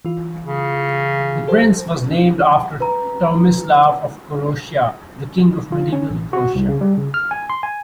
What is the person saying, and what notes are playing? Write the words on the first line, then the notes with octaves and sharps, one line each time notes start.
The Prince was named after Tomislav of Croatia, the King of medieval Croatia.
E3 F4
C#3
G4 A4 C5
B4 A#5
F4
C#4
A1
F#4
C2
C#3
G3
C#3
F6
G#5
C6
G#5